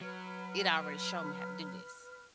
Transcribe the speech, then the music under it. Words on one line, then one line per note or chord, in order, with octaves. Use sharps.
it already showed me how to do this.
F#3 B4 F6